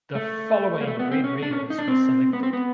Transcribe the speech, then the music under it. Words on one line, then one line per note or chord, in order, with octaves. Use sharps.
The following Red Raiders were selected.
A3
A#3
A3
B3
C4
C#4
D4
C#4
D#4
D4
C4
B3
C4
B3